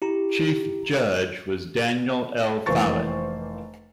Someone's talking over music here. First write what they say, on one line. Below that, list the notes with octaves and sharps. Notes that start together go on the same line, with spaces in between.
Chief Judge was Daniel L. Follett.
E4 G4 A#5
F1 E3 A#3 C5 C#6 A6